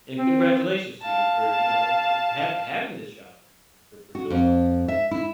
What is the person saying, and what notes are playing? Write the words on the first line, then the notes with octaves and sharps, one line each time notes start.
and congratulations to you for, you know, um, hav having this job and and for pursuing this.
C4
F5 A5
F#4
F2
E5
E4